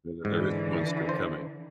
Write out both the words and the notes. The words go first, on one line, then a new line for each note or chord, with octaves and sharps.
Though there is one still coming.
G#2 D3 E3
C5